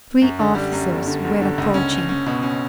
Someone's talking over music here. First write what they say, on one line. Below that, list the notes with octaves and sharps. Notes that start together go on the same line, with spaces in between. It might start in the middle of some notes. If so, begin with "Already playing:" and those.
Three officers were approaching.
F#2
D3
G3
F#2
G1
D3
G1
D3
C#2
C#4
C#4
C#4
B2
C#4